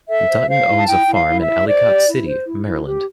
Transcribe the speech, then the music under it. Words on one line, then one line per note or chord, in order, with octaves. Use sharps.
Dutton owns a farm in Ellicott City, Maryland.
A4 E5
C5
C5 F5
E4
A5
E4 G5
E4
F5
E4
E5
E4
C5 D5
G4
E4
C5
E4
E4
G4